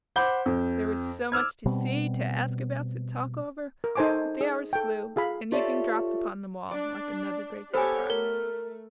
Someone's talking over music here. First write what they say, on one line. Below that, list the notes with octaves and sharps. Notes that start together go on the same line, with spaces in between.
There was so much to see, to ask about, to talk over, that the hours flew, and evening dropped upon them all like another great surprise.
C5 F#5 B5 D6 G6
F2
D6 E6 F6 G#6
B2 G3 C4
A#4
D#4 A4 C5 G#5 C#6 D6
G#4
A4 G5
F4 G#4 F5 B5
F4 G4 A4 C#5 D5 E5
D4 D5
B3 G4 A4 C5 C#5 G#5
A3 A#4 G7